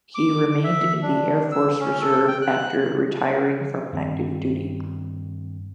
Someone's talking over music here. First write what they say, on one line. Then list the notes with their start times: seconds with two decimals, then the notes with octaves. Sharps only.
He remained in the Air Force Reserve after retiring from active duty.
0.15 D6
0.64 E5
1.02 D4
1.52 E6
1.80 C#4
2.01 A4
2.28 G5
2.42 F#6
3.93 G2 D#3 C4